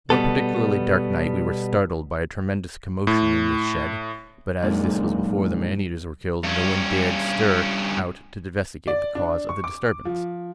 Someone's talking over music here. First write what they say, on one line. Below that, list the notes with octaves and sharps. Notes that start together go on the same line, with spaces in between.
One particularly dark night we were startled by a tremendous commotion in this shed, but as this was before the man-eaters were killed, no one dared stir out to investigate the cause of the disturbance.
B2 G3 B3 A4
A2
F#2 A#2 G#3 A#3 D4 D#4
G2 C#4
D5
D4
C#6
D6
F3